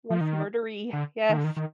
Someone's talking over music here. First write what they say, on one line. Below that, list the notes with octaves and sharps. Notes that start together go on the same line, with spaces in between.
Less murdery. Yes.
F3
D#3
D3
D#3
D3
D#3
D#3